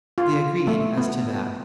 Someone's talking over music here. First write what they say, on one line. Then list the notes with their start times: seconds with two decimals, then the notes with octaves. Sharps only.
They agreed as to that.
0.18 F4
0.67 A3
0.97 B3